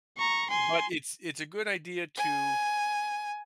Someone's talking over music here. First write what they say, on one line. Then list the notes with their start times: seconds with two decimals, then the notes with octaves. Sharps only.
But it's it's a good idea to
0.17 A#5 C#6
0.50 G#5 C6
2.16 G#5